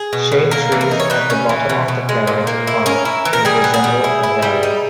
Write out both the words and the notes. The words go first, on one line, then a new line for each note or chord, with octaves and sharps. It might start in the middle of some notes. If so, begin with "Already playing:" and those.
Shade trees at the bottom of the carriage path would resemble a valley.
Already playing: G#4
B2
B2
A#3 A#4
E3
A#4
D#4
C#5
G3 B4
C#4
E3
B2
B2
G#3
A#2
A#3
E4
C#4 A#4
E4
E3
A#4
G3 G#4
B3
G#4
G3
E4
E4
G3
D#4